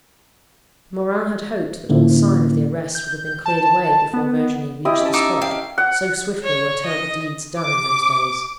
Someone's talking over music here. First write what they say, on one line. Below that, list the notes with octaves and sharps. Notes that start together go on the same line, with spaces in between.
Morin had hoped that all sign of the arrest would have been cleared away before Virginie reached the spot--so swiftly were terrible deeds done in those days.
A2 D3 A#3 C#4 E4
G6
A5
B3
E4 G4 D#5
C#4 A5
D#4 E5 D6
F5 G5
F#5
C#5
D#5
D6